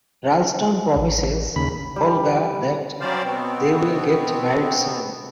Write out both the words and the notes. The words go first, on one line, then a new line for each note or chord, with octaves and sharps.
Ralston promises Olga that they will get married soon.
A1
D#2 C#3 B5
G3
F#3 G3 C#4 C5 D5 F5
B2 B3 C4